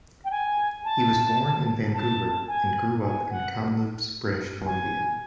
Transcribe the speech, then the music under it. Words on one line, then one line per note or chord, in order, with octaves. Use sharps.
He was born in Vancouver and grew up in Kamloops, British Columbia.
G5
G#5
A5
A5
G#5
G#5
F#5
G#5